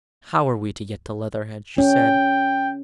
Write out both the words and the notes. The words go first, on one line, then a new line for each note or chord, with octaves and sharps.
"How are we to get to Leatherhead?" she said.
C#4 G5